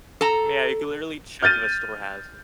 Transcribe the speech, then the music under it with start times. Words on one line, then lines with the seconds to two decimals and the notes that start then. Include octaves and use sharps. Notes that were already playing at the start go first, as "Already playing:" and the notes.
Yeah, you can literally check if a store has it.
0.21 A4 A#5
1.43 F6 G6 A6 D#7